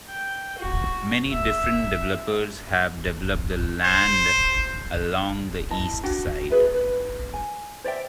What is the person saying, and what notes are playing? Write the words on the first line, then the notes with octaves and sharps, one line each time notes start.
Many different developers have developed the land along the east side.
G5
F#4
E5
C5
E4 D#5 A5
D4 F#4 F#5 G5
G#4 B4 E5
B4
G#5
C5 D5 E5 G5